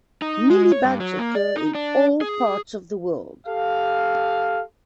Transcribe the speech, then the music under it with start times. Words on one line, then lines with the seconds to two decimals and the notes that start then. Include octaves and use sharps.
Mealybugs occur in all parts of the world.
0.22 D#4
0.50 G#3
0.72 C#5
0.84 G2
1.00 F#3
1.19 A#3
1.35 D5
1.56 D#4
1.75 D4
2.21 G#4
3.47 G4 A4 F5